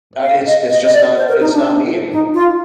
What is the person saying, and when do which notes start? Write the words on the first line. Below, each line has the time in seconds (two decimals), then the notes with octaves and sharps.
"Uh, it's it's just not it's not me anymore."
0.23 F5
0.47 D#5
0.70 D#5
0.87 D#5
0.93 D5
1.17 C5
1.28 A#4
1.40 D#4
1.52 D4
2.12 D#4
2.34 F4